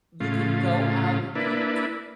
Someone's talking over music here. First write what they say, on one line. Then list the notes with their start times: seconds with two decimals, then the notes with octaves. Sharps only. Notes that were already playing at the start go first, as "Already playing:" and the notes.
you can go out and eat,
0.20 A2 C#3 F4
1.35 A#3 D4 E4 B4